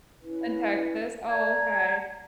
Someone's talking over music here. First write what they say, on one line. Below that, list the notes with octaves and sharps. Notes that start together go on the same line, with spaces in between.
in Texas? Oh, okay.
C#4 E4 B4
D5 A5 A#5 G#6